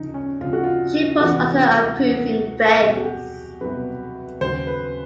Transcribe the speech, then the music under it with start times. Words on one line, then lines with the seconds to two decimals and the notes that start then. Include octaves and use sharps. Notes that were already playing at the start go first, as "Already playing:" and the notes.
She puts on her approving face.
Already playing: F2 C#3 F3 D4 D#4
0.14 C#4
0.41 F2 C#3 F3 F4
0.53 F#4
0.63 F4
1.17 F4
1.21 E2 C3 E3 F#4
2.01 E2 C3 E3
2.81 C2 B2 F#3 G#4
2.89 G4
2.97 F#4
3.05 G4
3.61 C2 B2 F#3 B4
4.41 D#2 C#3 F#3 C5
4.67 B4